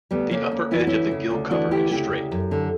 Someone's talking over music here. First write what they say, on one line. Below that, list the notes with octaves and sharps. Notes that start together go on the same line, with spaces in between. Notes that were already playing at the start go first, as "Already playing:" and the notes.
The upper edge of the gill cover is straight.
D2 G3 B3
C#3 A#3 C#4
D2
E3 E4
F#4
D2 C#4 E4
C#3
D2
E3 D4 F#4
D2 E4 G4
C#3 E4 G4
D2
F#2
D3